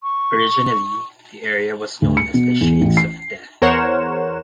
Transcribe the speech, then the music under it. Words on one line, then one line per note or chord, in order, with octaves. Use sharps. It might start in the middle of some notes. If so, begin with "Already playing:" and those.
Originally, the area was known as the "Shades of Death".
C#6
D2
C#7
B2
E2
A1
C7
E2 A#4 C5 C#5 F#5 E7